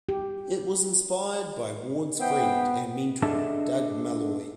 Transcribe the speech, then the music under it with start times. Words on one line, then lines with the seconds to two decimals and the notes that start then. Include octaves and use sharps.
It was inspired by Ward's friend and mentor, Doug Malloy.
0.09 G4
2.20 B3 C5 E5 G5
3.22 D4 G#4 A4 D#5 E5 A5